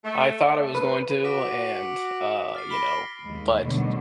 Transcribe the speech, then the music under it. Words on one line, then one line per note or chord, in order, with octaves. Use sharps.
I thought I was going to and, uh, you know but
A3
B4
F#4 D6 B6 D7
F6 A6 C7
B5 A#6 D7 G7
D#2 G#3
B2 D3 D#3 F#3 G3 A3